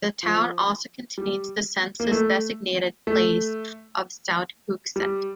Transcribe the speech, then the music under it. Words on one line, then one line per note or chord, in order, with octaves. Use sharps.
The town also contains the census-designated place of South Hooksett.
F3
G3
A#3
A3
A3
G3